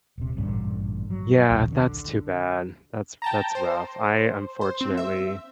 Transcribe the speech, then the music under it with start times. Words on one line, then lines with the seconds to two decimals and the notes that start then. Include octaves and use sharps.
Yeah, that's too bad. That's that's rough. I unfortunately
0.18 D#1 C3
0.37 A1 G2 A#2 D3
1.10 F#3
1.50 A#1 D#2 C3
1.72 D3
3.22 G5 A5 A#5
3.55 C5
4.61 C5
4.81 C4
4.97 E5